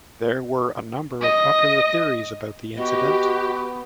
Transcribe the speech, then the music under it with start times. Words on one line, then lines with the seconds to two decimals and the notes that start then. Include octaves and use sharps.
There were a number of popular theories about the incident.
1.22 D#5
2.77 B3 F#4 G4 D#5